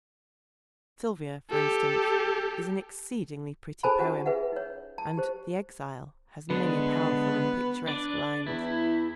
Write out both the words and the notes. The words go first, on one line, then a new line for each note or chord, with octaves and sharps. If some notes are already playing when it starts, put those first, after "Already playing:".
Sylvia, for instance, is an exceedingly pretty poem, and The Exile has many powerful and picturesque lines.
G4 A4
G#4 A4 C5 G#5 A5 B5
C#4 D4 F4 G4 C5 F#5
G#4 B4 E5 F#5
D#4 C#5
A5
G4 C5
D3 G#3 B3 D4
D4 B4 D5
E2 E4